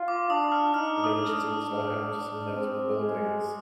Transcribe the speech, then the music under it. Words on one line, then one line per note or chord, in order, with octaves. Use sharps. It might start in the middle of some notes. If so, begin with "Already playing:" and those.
The village is also home to some notable buildings.
Already playing: F4
D6
D4 D#6
F6
D#4 F6
D#6
D4
D#6
D4
D4
C4
G#3